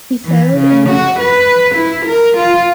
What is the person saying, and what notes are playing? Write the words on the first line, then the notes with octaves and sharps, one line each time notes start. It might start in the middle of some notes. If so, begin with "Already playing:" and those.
He settled in New York.
E3
C#3
F#4
B4
E4
A#4
F4